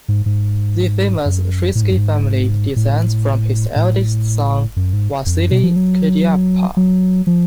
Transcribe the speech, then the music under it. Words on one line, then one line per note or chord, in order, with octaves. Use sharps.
The famous Shuisky family descends from his eldest son, Vasily Kirdyapa.
G#2
G#2
F#2
A2
G#2
F#2
G#2
A2
A2
F#2
G#2
F2
F#2
B2
F3
F#3
F#3
F3